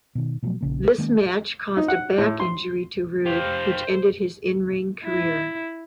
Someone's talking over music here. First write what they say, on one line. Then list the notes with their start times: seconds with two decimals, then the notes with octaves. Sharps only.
This match caused a back injury to Rude, which ended his in-ring career.
0.15 B2 D#3
0.42 B2 F3 F#3 A3
0.61 A#1 C#3 A#3
0.98 D#3 G#3 A#3 C#4
1.77 D#4
1.88 F#5
2.18 A2
2.40 C6
3.26 G4 C5 F5
5.04 E4